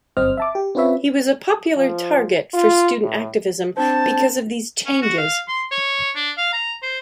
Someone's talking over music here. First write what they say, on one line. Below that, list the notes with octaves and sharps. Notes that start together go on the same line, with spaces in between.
He was a popular target for student activism because of these changes.
G1 F#2 C4 C5 D#5 F6
E5 A5 D6
G4
C4 C#4 F4 B4 C#5 E5
F3
F4
A2
C4 D4 C5 A5
C#4
F#4
F5
C6
C#5
D4
F5
A#5
C5